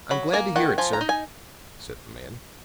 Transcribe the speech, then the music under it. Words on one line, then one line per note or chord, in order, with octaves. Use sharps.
"I'm glad to hear it, sir," said the man.
F#3 B5
A#3 G#5
D#3 F#5
F3 G#5
A#5
D#4
G#5